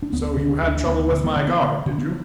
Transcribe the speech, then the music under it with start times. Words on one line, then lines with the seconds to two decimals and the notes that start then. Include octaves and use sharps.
"So you had trouble with my guard, did you?"
0.02 D4
0.12 D2 B3
0.37 D3
0.50 D4
0.62 D2
0.68 D4
0.86 D2 B3
1.12 D3
1.24 B3
1.36 D3 D4
1.48 B3
1.61 D3
1.86 D3 D4
1.98 B3